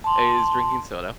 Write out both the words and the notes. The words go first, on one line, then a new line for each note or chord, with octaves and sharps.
is drinking soda.
A5 C6